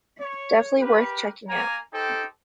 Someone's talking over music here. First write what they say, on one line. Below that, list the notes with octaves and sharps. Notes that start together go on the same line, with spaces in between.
Definitely worth checking out.
C#5
G4 A#4 B4
A#3 G#5 A#5
D#4 G4 A4 C5 G5